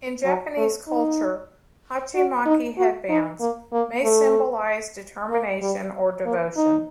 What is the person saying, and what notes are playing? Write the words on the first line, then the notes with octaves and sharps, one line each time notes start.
In Japanese culture, hachimaki headbands may symbolise determination or devotion.
F#3
A3
D#4
F#4
D#4
F#4
D#4
A#3
A#3
A3
A#3
G3
A#3
D#4